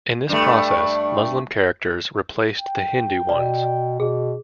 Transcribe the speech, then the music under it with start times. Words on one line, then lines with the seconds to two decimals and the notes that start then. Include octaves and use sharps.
In this process, Muslim characters replaced the Hindu ones.
0.29 G2 A3
2.60 G5
3.29 B2 D5
4.00 B2 G#4